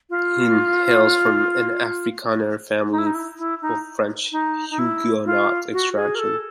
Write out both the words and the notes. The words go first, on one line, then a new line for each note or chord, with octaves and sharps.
He hails from an Afrikaner farming family of French Huguenot extraction.
F4
D#4
E4
D#4
E4
E4
D#4
D#4
D#4
E4
F4
F#4
G#4
A#4
A4